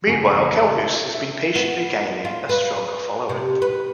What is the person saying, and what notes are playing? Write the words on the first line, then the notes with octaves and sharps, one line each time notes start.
Meanwhile Kellhus has been patiently gaining a stronger following.
C#2 F#2 D#3 G#3 F#4 G#5
E1 A1 F2 C#3 F#5
A#4
E5
B3
F4
B4
C3
B4